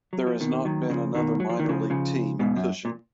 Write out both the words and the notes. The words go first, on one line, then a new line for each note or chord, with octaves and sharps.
There has not been another minor league team in Cushing.
F#3
F3
B2 D#3
D#3 F#3
C#3 F3
B2 D#3
F#3
F3
D#3
C#3 F3
C#3 F3
G#2 B2
F#2
A#2